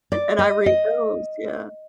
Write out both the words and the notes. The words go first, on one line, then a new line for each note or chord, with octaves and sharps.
and I read those, yeah.
D5
D#5
D#5